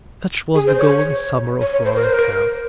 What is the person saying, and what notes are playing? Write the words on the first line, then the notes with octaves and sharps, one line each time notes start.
Such was the golden summer of Roaring Camp.
G#4
C5
C#5
C#5
C#5
C5
A#4
C5
A#4